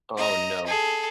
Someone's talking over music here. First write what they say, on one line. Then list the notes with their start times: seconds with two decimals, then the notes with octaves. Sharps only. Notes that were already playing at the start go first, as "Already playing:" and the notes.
Oh, no.
0.17 D#5 A#5
0.66 G#4 A4